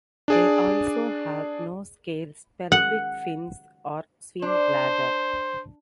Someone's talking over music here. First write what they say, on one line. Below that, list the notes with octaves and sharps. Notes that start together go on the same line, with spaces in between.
They also have no scales, pelvic fins or swim bladder.
D4 G#4 D5
F#5
D4 C5